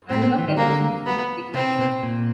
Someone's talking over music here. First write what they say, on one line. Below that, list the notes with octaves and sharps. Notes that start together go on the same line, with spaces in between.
Analogue television has been declining.
A2 C4
E3
D#3
D3 A#3
B3
C3 C4
B2
A#2